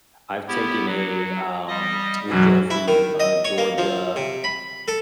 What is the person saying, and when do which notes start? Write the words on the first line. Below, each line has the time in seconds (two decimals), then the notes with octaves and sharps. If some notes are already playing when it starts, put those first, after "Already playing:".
I've taken a, um, we drove from, uh, Georgia
0.48 B3 E4 G4
0.87 F#3
1.68 G3 D#5 D#6
2.29 F#2 B2 E3 F#3
2.70 E4
2.88 D#3
3.20 D#5
3.45 C#5
3.58 A#3
3.78 F3
4.16 C3
4.44 B5
4.88 A4